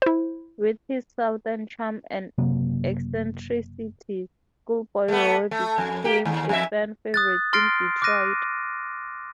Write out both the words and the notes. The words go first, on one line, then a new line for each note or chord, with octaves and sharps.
With his southern charm and eccentricities, Schoolboy Rowe became a fan favorite in Detroit.
E4 C5
F#1 C3 F#3 A#3
A3 B3
A3
F2
A#3 G4
D#2
F2 E5
D#6 F#6 A6
C6 F6 A6 A#6 C7 D7
D6 F6 F#6 A#6 D#7